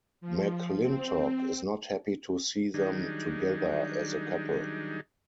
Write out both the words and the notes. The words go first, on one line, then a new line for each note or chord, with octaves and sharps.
McLyntock is not happy to see them together as a couple.
F3
C4
D#3 F#3 G3 D4 D#4 G#4